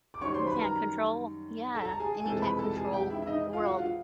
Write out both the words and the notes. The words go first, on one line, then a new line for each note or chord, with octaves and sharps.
You can't control? Yeah, and you can't control the world.
D6
F#2 D#3 G3 C#5 C#6
C5 C6
B4 B5
A#4 A#5
A4 A5
A#5
A5
G#4 G#5
G#5
F2 C3 E3 G#3 A4 A5
B4 B5
A4 A5
A5
G#4 G#5
G4 G5
E4 E5
E5
D#4 D#5
F4 F5
F#4 F#5
F4 F5